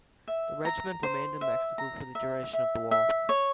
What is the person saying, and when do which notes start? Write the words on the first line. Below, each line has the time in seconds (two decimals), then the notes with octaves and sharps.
The regiment remained in Mexico for the duration of the war.
0.28 E5
0.65 A#5
1.03 C5
1.41 E5
1.78 A#5
2.15 E5
2.53 E5
2.91 E5
3.29 C#5